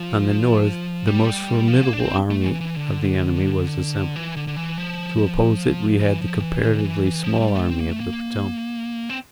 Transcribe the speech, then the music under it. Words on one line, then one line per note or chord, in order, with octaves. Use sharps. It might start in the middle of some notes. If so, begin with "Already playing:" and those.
On the north, the most formidable army of the enemy was assembled; to oppose it we had the comparatively small Army of the Potomac.
Already playing: F3
G3
F3
A#3
D4
C4
A3
E3
E3
D3
E3
D3
D3
E3
F3
E3
F3
E3
E3
D3
E3
F3
G3
A3
C4
A#3
A3
A#3
C4